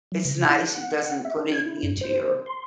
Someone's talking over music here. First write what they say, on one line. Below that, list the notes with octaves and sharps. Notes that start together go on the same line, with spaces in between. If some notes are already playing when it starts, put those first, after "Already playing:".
it's nice, it doesn't put anything into your
F#3
C#3
E4
F#5
E5
D4
G#6
E4
G2
C5
C6